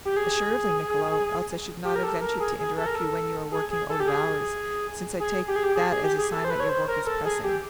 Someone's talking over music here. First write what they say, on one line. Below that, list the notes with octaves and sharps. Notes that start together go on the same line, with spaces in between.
"Assuredly, Niccolo; else I should not have ventured to interrupt you when you are working out of hours, since I take that as a sign that your work is pressing."
G4
G#4
G4
A#4
A4
A#4
G#4
G#4
A4
A#4
A4
G#4
G#4
A4
G4
G#4
G#4
G4
G#4
G4
G#4
G#4
G4
G#4
A4
C5
B4
C#5
C5
A#4
A4
G#4
G4